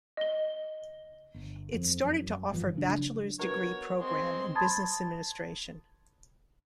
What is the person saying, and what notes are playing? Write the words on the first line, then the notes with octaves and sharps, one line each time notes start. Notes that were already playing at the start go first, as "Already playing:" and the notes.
It started to offer bachelor's degree programme in Business Administration.
D#5 G7
G1
F2
F#2
G1 G2 E3 F3
C#3 F#3 D4
B3 F#4 A#4 C#5
G#3 C4 C6
A5 B5 C6 D#6 G#6 A6